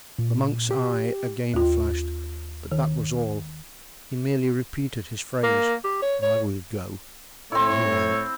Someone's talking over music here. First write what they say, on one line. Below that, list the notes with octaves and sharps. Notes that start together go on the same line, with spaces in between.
The monk's eye again flashed, but that was all; he merely repeated his phrase, "I will go,"--and he went.
A#2
G4
D#2 F4
D#3
A#3
G4
C#5
C#5
A2 A3 C4 E4 C#5